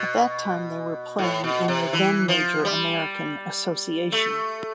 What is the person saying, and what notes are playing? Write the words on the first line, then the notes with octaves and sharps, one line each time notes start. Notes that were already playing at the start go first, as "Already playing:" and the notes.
At that time they were playing in the then-major American Association.
Already playing: B2
A2
B2
C3
E3
F3
G3
A3